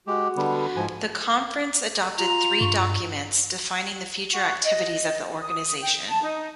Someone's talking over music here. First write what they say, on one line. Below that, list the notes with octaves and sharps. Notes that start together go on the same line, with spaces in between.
The conference adopted three documents defining the future activities of the organization.
G#3 F#4 G4
D3 G3 B3
G#2 F3 G#5
F4 A#5 F7
G2 C#6
F#4
D#5
D#6
G5
A5
D#4